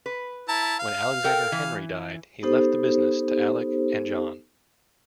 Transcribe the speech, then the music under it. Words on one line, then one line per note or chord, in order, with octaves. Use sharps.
When Alexander Henry died, he left the business to Alick and John.
B4
E4 A5 A#5
F5
A4 A#4 G5
E3
B3 D#4 G4 A4 C5